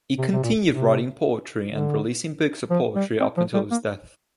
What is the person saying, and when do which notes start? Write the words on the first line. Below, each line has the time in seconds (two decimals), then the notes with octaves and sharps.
He continued writing poetry and releasing books of poetry up until his death.
0.18 C3
0.32 C3
0.43 A#2
0.68 C3
1.69 D3
2.70 F3
2.96 G3
3.20 C4
3.37 F3
3.54 G3
3.71 A#3